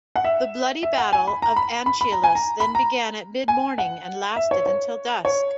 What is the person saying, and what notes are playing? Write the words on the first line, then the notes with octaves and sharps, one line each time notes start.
The bloody battle of Anchialus then began at mid-morning, and lasted until dusk.
F#5
E5
E5
F#5
G#5
B5
A#5
B5
B5
B5
A#5
G#5
A#5
B5
A#5
G#5
F#5
E5
C#5
C#5
C#5